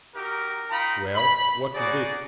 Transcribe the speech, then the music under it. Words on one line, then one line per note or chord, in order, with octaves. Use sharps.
"Well, what is it?"
D#4 F#4 G4 A#4
D#4 F4 G5 A#5 B5
B5
D#4 F#4 G#4 D5